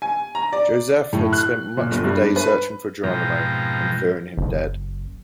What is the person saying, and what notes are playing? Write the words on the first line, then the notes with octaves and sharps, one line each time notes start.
Josephe had spent much of the day searching for Jeronimo and fearing him dead.
G#5
A#5
D5
A2
F#6
A#2
G1
G2
B4
F2 G#2 B2 F3 G5 A#5
F#1